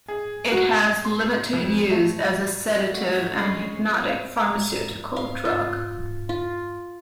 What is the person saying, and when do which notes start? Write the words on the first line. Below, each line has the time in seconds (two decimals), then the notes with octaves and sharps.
It has limited use as a sedative and hypnotic pharmaceutical drug.
0.08 G#4
0.52 F#4
0.71 A5
1.05 C6
1.53 F2
1.90 A3
2.91 A3 F#4 A4 B4 E5
3.33 G#3 C#4 D4 C7
4.09 F5
4.38 A#5
5.16 F5
5.45 F4
6.29 F4